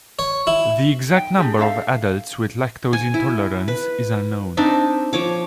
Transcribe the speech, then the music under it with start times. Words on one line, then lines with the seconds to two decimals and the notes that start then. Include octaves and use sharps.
The exact number of adults with lactose intolerance is unknown.
0.19 C#5
0.47 E4
1.12 D#4 G5
1.38 D4 G4 G#4
1.58 D4 A4 E5 F5
2.93 G#5
3.14 E4
3.68 B4
4.57 C4 D4 D#4 E5
5.13 F3 C#5 D6